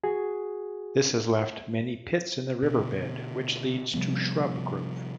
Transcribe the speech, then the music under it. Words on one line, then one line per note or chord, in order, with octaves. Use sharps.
This has left many pits in the river bed, which leads to shrub growth.
F#4 G#4
B2 D3
C3 F3 G3 B3